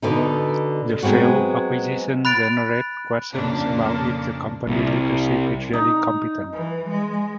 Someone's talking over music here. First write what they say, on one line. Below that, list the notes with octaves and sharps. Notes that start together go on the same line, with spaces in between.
The failed acquisition generate questions about if the company leadership is really competent.
B2 D3 D#4
F#3 G#3 B3 C4 F#4
B5 F#6 A6 D7
F2 A#2 C#3 A#3 D4
C2
D#4
E3
G#3